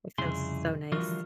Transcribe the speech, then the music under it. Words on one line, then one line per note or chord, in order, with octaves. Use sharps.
It feels so nice.
C2 F2 C#3 E4 G#4 C6
D3 E3 F3 G3 F#4 A#4